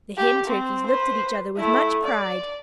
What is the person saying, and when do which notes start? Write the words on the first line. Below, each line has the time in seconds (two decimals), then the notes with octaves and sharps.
The Hen Turkeys looked at each other with much pride.
0.17 G4
0.47 C4
0.86 B4 C5
1.57 A3 E4
2.03 D5